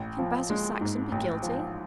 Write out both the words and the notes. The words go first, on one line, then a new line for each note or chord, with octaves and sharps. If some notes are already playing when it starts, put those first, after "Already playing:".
Can Basil Saxon be guilty?
Already playing: A1
F3
G#3
G#2
A1
F3